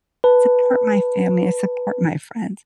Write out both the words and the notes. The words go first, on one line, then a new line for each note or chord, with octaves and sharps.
support my family. I support my friends.
B4 A5